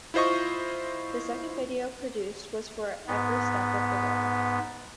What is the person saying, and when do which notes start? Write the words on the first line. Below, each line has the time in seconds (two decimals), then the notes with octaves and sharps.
The second video produced was for "Every Step of the Way".
0.14 E4 F4 C5 D#5 C#6
3.07 G#2 B3